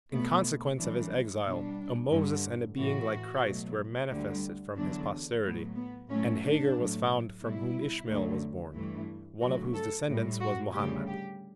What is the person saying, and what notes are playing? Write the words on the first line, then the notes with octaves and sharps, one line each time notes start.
In consequence of His exile a Moses and a being like Christ were manifested from His posterity, and Hagar was found from whom Ishmael was born, one of whose descendants was Muhammad.
B2 A3 B3
F#2 E3 G3 D4
B2 G3 D4
G2 D3 G3
A2 E3 A3 F#4
B2 F#3 A3
D2 D3 G3
E2 D3 F#3 D4
A2 F#3 A3 B3
B3
A2 F#3 A3 C#4
D4
A2 F#3 A3
B2 G3 E4
D2 D3 F#3 A3
G2 E3 A3
D2 C#3 F#3 A3 F#4
A4
A2 G3
F#4
D2 C#3 G3 G4
G4